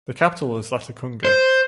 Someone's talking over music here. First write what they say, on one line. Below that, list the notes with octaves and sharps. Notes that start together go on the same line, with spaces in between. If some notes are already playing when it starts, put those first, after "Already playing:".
The capital is Latacunga.
C5